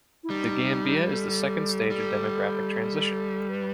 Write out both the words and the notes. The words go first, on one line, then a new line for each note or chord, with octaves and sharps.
The Gambia is in the second stage of demographic transition.
E4
G3 D#4
B4
A4
G3
B4